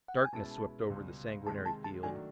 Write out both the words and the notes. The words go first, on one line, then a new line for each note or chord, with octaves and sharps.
Darkness swept over the sanguinary field.
F#5
G5
G#5
B2 G#3 C#4 E4 A5
C#2 B2 G3
C3 D#3 G#3 A5
A5
A5
D#3 F#3 A3 D4 F#4 G#5